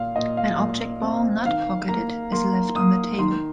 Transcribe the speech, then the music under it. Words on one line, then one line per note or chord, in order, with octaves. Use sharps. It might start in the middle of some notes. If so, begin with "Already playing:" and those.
An object ball not pocketed is left on the table.
Already playing: A#2 F5
A#2 D#5
F5
A#2
C4
D#3 F5
A#3 A#5
A#3 C6
A#3 D#6
D#3 C6